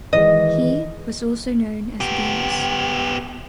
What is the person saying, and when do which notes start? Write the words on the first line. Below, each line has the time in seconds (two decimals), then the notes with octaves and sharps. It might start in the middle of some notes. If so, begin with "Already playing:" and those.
He was also known as Venus.
0.13 D#3 E3 G#3 D#5
2.00 B3 G4